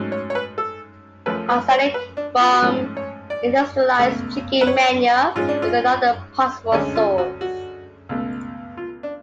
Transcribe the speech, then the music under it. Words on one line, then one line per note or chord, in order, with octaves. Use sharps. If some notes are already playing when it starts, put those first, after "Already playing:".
Arsenic from industrialized chicken manure is another possible source.
Already playing: G#2 F#3 A3 C#4
C#5
C#5
B4
A4
F#2 F3 A3 C#4 B4
B4
C#5
B4
D4
F4
F#4
G#2 F3 A3 C#4 F4
C#5
D5
C#2 B2 A3
B4
C#5
G#2 G#3 C#4 F4
D4
F4
D2 D3 G#3 C#4 D4
F4
F#4
F#4
C#2 B2 A3
F4
D4